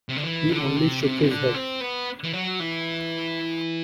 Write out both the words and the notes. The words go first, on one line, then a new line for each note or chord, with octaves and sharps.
He only shook his head.
C3
D3
E3
D3
C3
C3
E3
D3
C4
B3
E3
F#3
E3